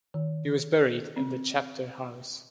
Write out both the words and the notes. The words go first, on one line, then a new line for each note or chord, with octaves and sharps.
He was buried in the chapter house.
D#3
C4